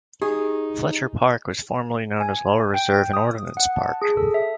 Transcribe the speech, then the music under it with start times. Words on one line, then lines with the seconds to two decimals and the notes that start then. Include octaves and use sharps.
Fletcher Park was formally known as Lower Reserve and Ordinance Park.
0.22 D#4 G4 G#4
2.20 G#5
2.74 G5
3.13 D#6
3.57 F#5
3.76 A5
4.02 G#4
4.17 A4
4.34 E5